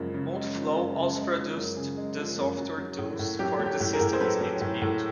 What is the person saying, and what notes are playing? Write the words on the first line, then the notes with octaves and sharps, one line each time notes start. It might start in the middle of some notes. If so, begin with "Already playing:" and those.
Multiflow also produced the software tools for the systems it built.
Already playing: F#2 C#3 F3 G#3
C#3
G#3
F3
F#2
C#3
G#3
F3
F#2
C#3 G#4
G#3
F3
F#2
F#3
F#3
A2
A2
F#3 G4
F#3
G4
A2
G#4 A#4
A2
C5
F#3 A4 B4
F#3
A2
A2